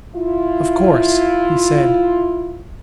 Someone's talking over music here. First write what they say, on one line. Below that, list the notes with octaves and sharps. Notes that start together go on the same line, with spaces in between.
"Of course," he said.
E4 F4